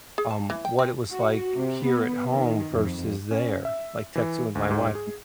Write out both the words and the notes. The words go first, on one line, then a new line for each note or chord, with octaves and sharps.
um, what it was like here at home versus there, like texting with my wife
G#4
A5
E3
G5
C4
F#4
C3
B3
D#3
F2
C#4
E5
E3
D2
G#2
G#4